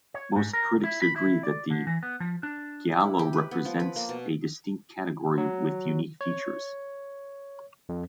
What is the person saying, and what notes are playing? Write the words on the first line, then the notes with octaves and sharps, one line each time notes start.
Most critics agree that the giallo represents a distinct category with unique features.
C#5
G#2
A#4
E4
B5
E4
D5
D3
E3
B3
F3
D4
E4
G4
B4
B3
F3
B4
A#3
B2
F#3
C#5
F2